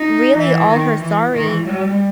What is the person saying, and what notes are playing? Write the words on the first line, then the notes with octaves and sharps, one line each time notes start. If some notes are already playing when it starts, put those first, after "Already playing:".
really all her sorry
Already playing: D#4
E3
D#3
E3
E3
G3